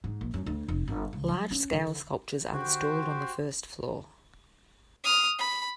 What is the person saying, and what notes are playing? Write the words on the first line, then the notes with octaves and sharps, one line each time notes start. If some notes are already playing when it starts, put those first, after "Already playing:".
Large-scale sculptures are installed on the first floor.
G#2
A#1
F#2
D2
F1
G1
C#2
F#3
C#4
D3
D3 F#4 G4 C5
D#6 F6
B5